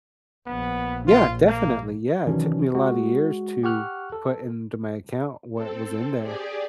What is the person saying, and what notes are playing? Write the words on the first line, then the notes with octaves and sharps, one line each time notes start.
Yeah, definitely, yeah, it took me a lotta years to put into my account what was in there,
A#1 B3
F4
A#3
C3 D#3 E3 F#3 C#4 D4
G#3 F#4
G4 F#5 C#6 F6 F#6
A4
C4 A4
G4 G#4 D5